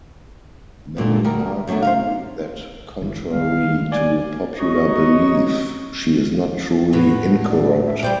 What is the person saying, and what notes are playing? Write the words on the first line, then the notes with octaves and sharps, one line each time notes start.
Many argue that contrary to popular belief, she is not truly incorrupt.
F#2 A#2 D3 D4
D2 G3 A#4
F#2 F#3 G#3 A3 D4
C5 D#5 F5
G1 E3
D#3 G3 G#3 F5
D5 G#5
D#4 F#4 C#5 D#5
A2 F#3 B4
D5
E5
G3 C5 D5 G5